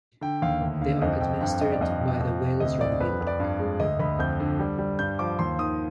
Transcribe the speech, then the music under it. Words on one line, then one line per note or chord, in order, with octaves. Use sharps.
They are administered by the Wales Rugby League.
D3 G5
D#2 F5
D2
D3 F5
F2 D#5
F2 G5
G2 G5
G2 D#5
D5
F2 D#5
C3
F2
C3
D2 D#5
D2 D5
F2 B4
F2
D5
G2
G#3
D2 D#5
D2 B5
F2 G6
D3
G3
G3
G2 G6
F3 D6
D#2 C6
D#3 D#6